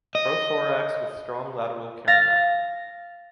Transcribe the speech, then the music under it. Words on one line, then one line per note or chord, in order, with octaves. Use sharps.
Prothorax with strong lateral carina.
D#5
F5 A6 A#6